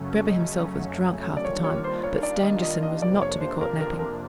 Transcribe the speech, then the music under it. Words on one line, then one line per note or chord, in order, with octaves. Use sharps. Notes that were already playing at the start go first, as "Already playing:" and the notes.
Drebber himself was drunk half the time, but Stangerson was not to be caught napping.
Already playing: F#2 C#3 F#3 A3 C#4
D#5
D5
D#3 G3 A#3 D4 F4 C#5
C#5
C5
C#5
D5
D#5
D#5
D#5
F2 C3 F3 A#3 D4 D5
C#5
C5
A#4
A#4
A#4